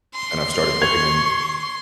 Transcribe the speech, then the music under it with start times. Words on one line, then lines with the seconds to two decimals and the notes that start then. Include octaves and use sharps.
and I've started looking in
0.15 C6
0.82 C#6 G#6 F7